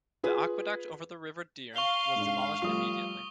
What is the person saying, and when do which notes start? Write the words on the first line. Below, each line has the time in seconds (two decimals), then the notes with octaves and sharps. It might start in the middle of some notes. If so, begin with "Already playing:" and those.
The aqueduct over the River Dearne was demolished immediately.
0.23 F4 G#4 B4
1.76 F5 C#6 F7 G7
2.16 G#2 D4
2.62 F3 G3 A3 C#6 D#6